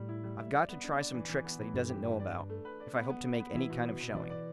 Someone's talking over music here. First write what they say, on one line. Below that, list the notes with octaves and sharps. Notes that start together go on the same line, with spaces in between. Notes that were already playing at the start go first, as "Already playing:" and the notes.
"I've got to try some tricks that he doesn't know about, if I hope to make any kind of showing."
Already playing: A2 G3
E4
G3
E5
D5
B3
D4
D5
E3
E3
B3
E3
G2 A3
G4
G4
D5
D4
A3
B4
D5
B3
B3
B3
B3
E3 E4
B2
B2
B2
E3 D5
D5